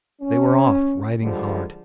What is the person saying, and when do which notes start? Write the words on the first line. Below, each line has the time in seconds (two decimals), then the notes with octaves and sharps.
They were off, riding hard.
0.21 C#4
1.23 D3 F3 G3 G#3